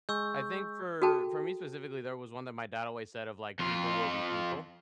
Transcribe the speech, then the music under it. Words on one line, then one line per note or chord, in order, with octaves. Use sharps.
I think for for me specifically, there was one that my dad always said of, like, "People will be people,"
G#3 C#6 E6 G6
F#4 G#4 A4 G5 A5
F2 F4